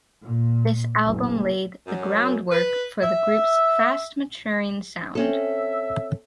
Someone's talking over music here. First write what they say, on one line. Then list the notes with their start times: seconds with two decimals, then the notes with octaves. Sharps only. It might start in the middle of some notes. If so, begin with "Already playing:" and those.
This album laid the groundwork for the group's fast maturing sound.
0.23 A#2
1.05 F#1
1.87 F#2
2.52 B4
3.02 E5
5.15 C4 C#4 A4 E5